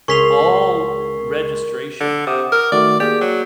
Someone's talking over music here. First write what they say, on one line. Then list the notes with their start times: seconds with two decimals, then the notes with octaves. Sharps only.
all registration,
0.08 C#2 G#4 A#4 C6 C#6 B6 F7
2.00 D3
2.27 C3 F#5 D6 D#6
2.52 A#4
2.72 D#3 A3 F#4 D5
3.00 A#3 G4 G#4 D5
3.21 F#3